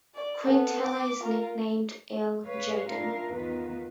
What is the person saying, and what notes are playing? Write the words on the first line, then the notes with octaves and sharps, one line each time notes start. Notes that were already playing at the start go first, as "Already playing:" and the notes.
Quintela is nicknamed ""El Gitano"".
D5
B3 A4
D6
F4 A#4
B4 C#5 F5
D4 E4 F4 A#4 F5
E2 D#3 B3 F4 B4